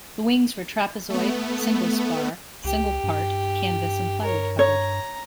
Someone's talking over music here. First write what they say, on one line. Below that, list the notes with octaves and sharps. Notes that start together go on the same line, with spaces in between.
The wings were trapezoid, single-spar, single part, canvas and plywood covered.
A3 B3
C#2 G4
G2
A#4 C#5
C#5 A#5